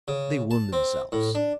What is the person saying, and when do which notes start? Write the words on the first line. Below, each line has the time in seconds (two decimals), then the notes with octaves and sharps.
They wound themselves.
0.08 C#3
0.51 A5
0.73 C4
1.12 A2
1.35 D4